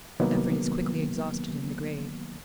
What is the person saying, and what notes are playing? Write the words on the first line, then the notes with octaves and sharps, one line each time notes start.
Effort is quickly exhausted in the grave.
C2 D#3 F#3 A#3 B3